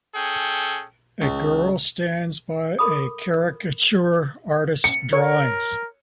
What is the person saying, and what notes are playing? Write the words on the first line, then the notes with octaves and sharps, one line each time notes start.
A girls stands by a caricature artist 's drawings.
C#4 G#4 A4 G5
C#2
A4 A#4 B5 D6 D#6
C#7
A#4 C#5